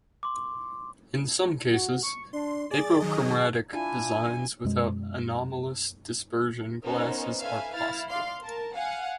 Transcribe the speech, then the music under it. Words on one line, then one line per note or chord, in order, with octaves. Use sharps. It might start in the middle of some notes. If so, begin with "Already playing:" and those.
In some cases, apochromatic designs without anomalous dispersion glasses are possible.
C6 D6
F#4
C#6
D4 C6
G#4 D5 A6
D#3 F#3 D#5
D4 E4 F4 G#5
F#2 B2 G#3
B3 C#4 D#4 A#4 C5
A4 B4 E5 F5 G#5
E4 F5 F6 A6
D5 F5 C6 C7
A#4 A5
F5 F#5 G#5